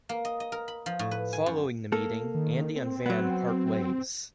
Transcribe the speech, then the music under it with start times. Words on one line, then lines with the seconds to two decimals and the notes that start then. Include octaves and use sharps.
Following the meeting, Andy and Vann part ways.
0.09 A#3
0.25 D#5
0.40 D#5
0.52 A#4
0.68 B5
0.86 F3
0.99 A2
1.11 B4
1.33 G#5
1.46 F#2
1.92 A#3 A4
2.35 D#3
2.76 C4
3.06 F#3 B3